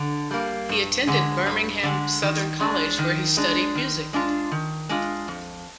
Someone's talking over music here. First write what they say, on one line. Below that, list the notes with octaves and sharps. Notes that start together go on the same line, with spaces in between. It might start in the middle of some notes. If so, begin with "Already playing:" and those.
He attended Birmingham-Southern College where he studied music.
Already playing: D3
G3 A#3
G2
D3 G#3
G2
D3 G#3
D#3
G#3 D4
D#3
G#3 D4
D#3
G#3 D4 F4
D#3
G#3 D4 F4
F2